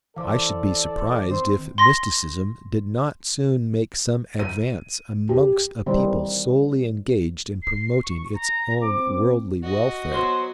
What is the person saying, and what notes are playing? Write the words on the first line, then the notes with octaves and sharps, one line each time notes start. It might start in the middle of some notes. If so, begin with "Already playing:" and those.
I should be surprised if mysticism did not soon make some advance amongst a people solely engaged in promoting its own worldly welfare.
E3 A4 C5 D5 F5 D6
D#3 C4 C5
C6 A#6
D#7
G4
D#3 E3 G3 C4 D#4
C7
C#6
A#5
C4 D6
F#4 D#5
F#3 B3 C5